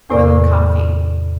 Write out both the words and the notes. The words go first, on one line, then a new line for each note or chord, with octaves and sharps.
Boiling Coffee.
E2 A2 C3 D5